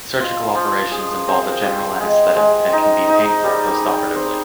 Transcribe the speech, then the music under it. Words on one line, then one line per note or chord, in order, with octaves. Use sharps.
Surgical operations involve a general anaesthetic and can be painful postoperatively.
F4
F3
G#4
C4
G4
G#3
G#3
D#4
D#4
G3
G#4
C4